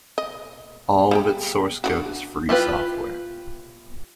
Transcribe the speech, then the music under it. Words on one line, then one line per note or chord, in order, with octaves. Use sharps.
All of its source code is free software.
D#5
G3 G#3 G5
D4 D#4 F#4
E4 F4 G4 B4